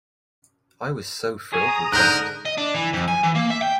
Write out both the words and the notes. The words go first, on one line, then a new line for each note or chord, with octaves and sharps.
I was so thrilled with that.
G#4 C#5 G#5 A#5 D#6
G#2 D3 A#4 F#6 G6
D#5
D4
E3
F2
G#5
E3
A#3
E5
G5